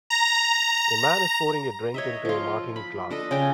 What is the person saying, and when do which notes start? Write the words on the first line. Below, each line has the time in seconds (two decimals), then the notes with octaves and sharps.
A man is pouring a drink into a martini glass.
0.10 A#5
1.94 C#5 D#5 E5
2.25 F3 F4
2.76 B5
3.10 D4 A4 D#5
3.31 C#3 C#4 G5